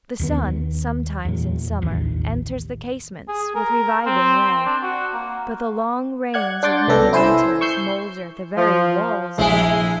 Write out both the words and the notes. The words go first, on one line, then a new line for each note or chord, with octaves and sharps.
The sun, sometimes in summer, enters The casements, with reviving ray; But the long rains of many winters Moulder the very walls away.
D#2 D#3 B3
E2 A#2
A1 D#2
G#4
A#4
C4
C4
D4
F#4
A#3
D5 F#5 F#6 G#6
D4 F#5 C6 D6 G6 A6
C2 B3 C#4 A4 A#6
E4 C5 G#5 C6 E6
C#6 E6 G6 C7
F3
A#1 G#3 E4 G#4